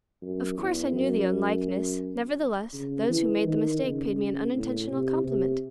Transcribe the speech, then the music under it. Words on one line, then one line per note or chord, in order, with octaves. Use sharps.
Of course I knew the unlikeness; nevertheless, those who made the mistake paid me an unintentional compliment.
F#2
E2
F#2
C#3
E3
D#3
C#3
A2
C3
C3